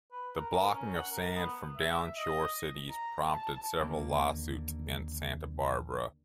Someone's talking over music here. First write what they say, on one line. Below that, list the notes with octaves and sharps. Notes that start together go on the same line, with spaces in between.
The blocking of sand from downshore cities prompted several lawsuits against Santa Barbara.
B4
A#4
A#4
C#4
F#5
A#4
B3
E5
D#5
A#5
A5
D#2 D3 G#3 A#3